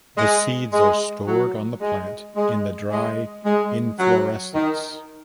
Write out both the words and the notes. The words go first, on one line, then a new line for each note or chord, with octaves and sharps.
The seeds are stored on the plant in the dry inflorescence.
G#3
G#3
F#3
G#3
G#3
G#3
G#3
F#3
D#3